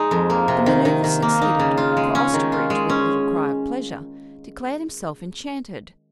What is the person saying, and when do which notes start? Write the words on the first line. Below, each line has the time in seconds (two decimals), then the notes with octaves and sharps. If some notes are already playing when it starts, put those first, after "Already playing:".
The maneuver succeeded, for Osterbridge, with a little cry of pleasure, declared himself enchanted.
Already playing: G#3 D#4
0.11 F2
0.30 A#3
0.48 C3
0.66 D#3
0.85 D#3
1.04 D#3
1.22 A#3
1.41 D#4
1.59 C#3
1.77 F4
1.97 G#3
2.15 C#4
2.34 D#3
2.52 F4
2.70 G#3
2.89 C#4